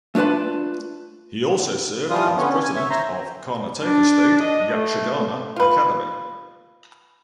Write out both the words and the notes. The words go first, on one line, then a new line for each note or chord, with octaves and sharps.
He also served as president of Karnataka state Yakshagana academy.
A3 D4 F4 B4 A5
E3 F3 G3 F4 D#6
D3 B3 C#4
C#4
G#5
C#5 E5
C5 E5 A#5 C6
D4
D#5
A3
F4 B4